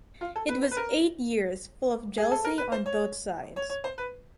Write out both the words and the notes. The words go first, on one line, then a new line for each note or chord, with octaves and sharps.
It was eight years full of jealousy on both sides.
F4
A4
B4
C5
B4
A#4
G#4
A4
A#4
B4
C5
C#5
C#5
C#5
C5
B4